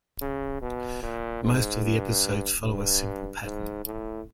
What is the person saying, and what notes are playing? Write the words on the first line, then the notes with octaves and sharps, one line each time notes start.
Most of the episodes follow a simple pattern.
C#3
B2
A#2
G#2
G2
G2
G#2
A2